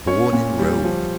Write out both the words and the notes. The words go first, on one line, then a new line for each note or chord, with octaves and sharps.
Born in Rome.
C#4 C#5
A#2
G3
F3